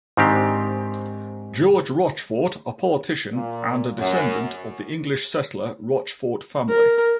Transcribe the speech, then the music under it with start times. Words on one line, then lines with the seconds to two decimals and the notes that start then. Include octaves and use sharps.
George Rochfort, a politician and a descendant of the English settler Rochfort family.
0.17 G#2 D#3 C4 D4 G4
3.33 A#2
3.98 F#2
6.69 A#4